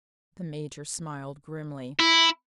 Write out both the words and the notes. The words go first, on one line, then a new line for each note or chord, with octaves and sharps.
The Major smiled grimly.
E4